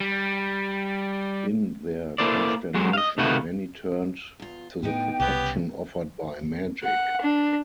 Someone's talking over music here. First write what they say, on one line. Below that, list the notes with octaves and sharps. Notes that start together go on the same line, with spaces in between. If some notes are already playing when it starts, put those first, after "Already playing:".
In their consternation, many turned to the protection offered by magic.
G3
A#3 E4 A4 C5 D5
F#3 G#3 F#4
D#5 F5
C3 D#3 A3 A#3 F#4 B4
E2 F4
D2 A2 B3 D#4 G5
C2 C#3 E3 B3 G4
F#5
D4